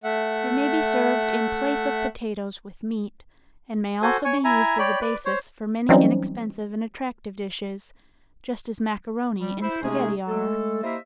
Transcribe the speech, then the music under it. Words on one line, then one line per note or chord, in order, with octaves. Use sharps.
It may be served in place of potatoes with meat, and may also be used as a basis for many inexpensive and attractive dishes, just as macaroni and spaghetti are.
A3 E5 F#5
F#4 A4 C5 G#5
C#5 G#5 C#6
E4 E5 G#5 A#5
C#5 D5 G5 B5
B4 D5
C5 C#5
E3 F#3 G3 C4 C#4 D#4
G3
E4 C5
C3 G#3 A3 C#4 D#4 G#4
G#3 A3 A4
A#3 E4 G4 C5 D#5 E5